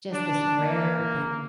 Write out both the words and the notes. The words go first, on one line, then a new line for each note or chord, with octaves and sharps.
just this rare and
D4
A#3